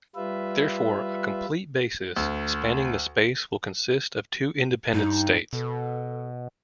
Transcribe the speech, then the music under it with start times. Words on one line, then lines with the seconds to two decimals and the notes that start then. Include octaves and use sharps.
Therefore, a complete basis spanning the space will consist of two independent states.
0.16 G3 F4 B4 E5
2.17 D2
4.94 G2 D#4
5.53 B2 A4